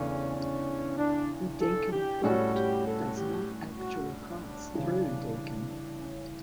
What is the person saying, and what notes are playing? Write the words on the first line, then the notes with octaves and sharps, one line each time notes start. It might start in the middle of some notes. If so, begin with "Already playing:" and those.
The Deakin Fault does not actually pass through Deakin.
Already playing: E2 C#3 E3 A3 C#4 D4
C#4
D4
A4
G4
A2 G3 C#4 F#4 A4
G4
A4
G4
F#4
D4
C#3 E3 G3
C#4